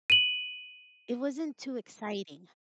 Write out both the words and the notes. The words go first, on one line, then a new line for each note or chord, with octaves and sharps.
it wasn't too exciting.
D#7 F#7